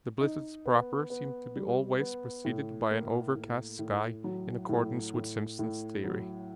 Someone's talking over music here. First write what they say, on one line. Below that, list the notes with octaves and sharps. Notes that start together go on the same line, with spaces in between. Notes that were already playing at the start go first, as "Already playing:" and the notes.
The blizzards proper seem to be always preceded by an overcast sky in accordance with Simpson's theory.
D#4
B3
B3
G3
B3
A2
A#3
A2
A2
F#3
A2
A2
A2
F#3